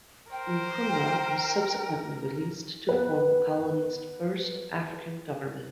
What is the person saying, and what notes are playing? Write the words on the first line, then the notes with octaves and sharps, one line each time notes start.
Nkrumah was subsequently released to form the colony's first African government.
A#4 C5 G5
B3 B4